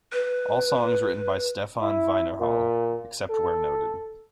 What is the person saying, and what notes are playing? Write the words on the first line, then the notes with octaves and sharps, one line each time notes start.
All songs written by Stefan Weinerhall, except where noted.
B4
E4
A#2
A4